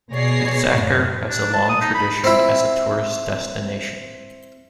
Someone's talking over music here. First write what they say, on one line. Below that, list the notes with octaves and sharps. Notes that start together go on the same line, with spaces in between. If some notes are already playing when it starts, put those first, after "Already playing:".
Hitzacker has a long tradition as a tourist destination.
B2 G#4 C#5 D5 A#6 C7
F#2 A2
D4
A5
D#6
D#4
B5
C4 E4